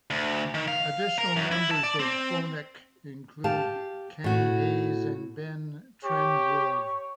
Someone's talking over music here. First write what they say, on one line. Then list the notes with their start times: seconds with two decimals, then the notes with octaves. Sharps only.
Additional members of Phonik include Kenny Hayes and Ben Trengrove.
0.10 D2
0.54 D#3
0.68 F5
1.18 A#4
1.36 F#2
1.52 E4
1.71 A5
1.83 D5
1.99 C4
3.44 G4 F5 A5
4.24 A2 F#4
6.04 G4 C#5